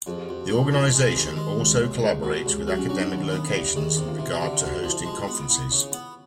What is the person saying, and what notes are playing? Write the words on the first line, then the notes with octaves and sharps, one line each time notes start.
The organization also collaborates with academic locations in regard to hosting conferences.
F2 G#4
G4
F2 F#4
F#4
F3 F4
D#4
F2 F4
F4
G#3 F#4
D#3 G4
F#4
G4
G#3
C#2 F#4
G#4
C#2 G4
C#2 G#4
B2 G4
C#2 G#4
G#4
F#3 G4
C#4
F#3 D4
D#4
D#2 D#4
B3
E2 G4
D#3 G#4
C3 G4
F4
C3 F4
F#4
D3 G4
D2 F#4
F3 E4
G#3 F#4
F4
F#4
B3 F4
F4
B3 E4
C#3
B3